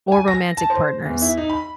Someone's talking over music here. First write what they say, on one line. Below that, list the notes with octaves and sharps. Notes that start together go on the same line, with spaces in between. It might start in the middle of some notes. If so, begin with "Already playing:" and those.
or romantic partners.
G#5
A#6
A5
C5
E2
E4
D#4
B5